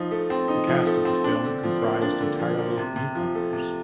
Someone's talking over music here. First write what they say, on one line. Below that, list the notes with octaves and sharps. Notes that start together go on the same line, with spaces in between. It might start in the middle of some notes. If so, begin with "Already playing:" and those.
The cast of the film comprised entirely newcomers.
Already playing: F3 D#4
A3
C4
D#4
F3
A3
C4
D4
D3
F3
A#3
D4
D3
F3
A#3
C3
C3
F3
A3
C3